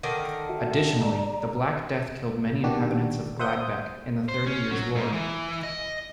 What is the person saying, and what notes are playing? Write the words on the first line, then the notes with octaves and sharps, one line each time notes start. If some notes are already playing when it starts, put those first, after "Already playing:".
Additionally, the Black Death killed many inhabitants of Gladbeck in the Thirty Years' War.
D3 D#3 A#4
F#4 E5
D5 A#5
B2 D#3 D4 F#4 G4
C5 E5 F#5 D#6 G6
C5
C#4
F#3
G#2
E3
D#5